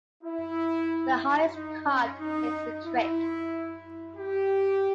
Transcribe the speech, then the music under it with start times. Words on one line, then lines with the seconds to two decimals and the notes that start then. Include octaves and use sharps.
The highest card takes the "trick".
0.23 E4
1.54 D#4
1.87 C#4
2.20 D#4
2.86 E4
4.16 G4